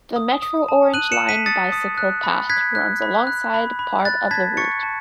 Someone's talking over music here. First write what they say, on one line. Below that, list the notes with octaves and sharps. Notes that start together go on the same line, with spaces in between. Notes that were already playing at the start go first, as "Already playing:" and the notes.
The Metro Orange Line bicycle path runs alongside part of the route.
D#6
D#6
A5
F#6 D#7 F#7
C#7 E7
A5
B6 D#7
D#6 A6 C#7
D#6
F#6
B5
F#6 G#6 B6
F#6
B5
F#6
B5
B5
F#6 A6
A5 G#6 B6
C#6 A6 C#7
A5